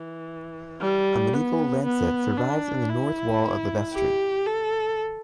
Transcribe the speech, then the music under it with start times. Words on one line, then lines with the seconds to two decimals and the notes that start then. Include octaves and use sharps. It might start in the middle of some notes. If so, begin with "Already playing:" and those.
A medieval lancet survives in the north wall of the vestry.
Already playing: E3
0.81 G3
1.33 B3
1.85 B3
2.37 D4
2.89 E4
3.93 G4
4.46 A4